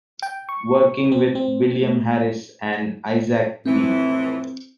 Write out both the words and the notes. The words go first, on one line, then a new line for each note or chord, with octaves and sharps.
Working with William Harris and Isaac B.
G5
C#6
C4
C4
A3
F2 A2 E3 C4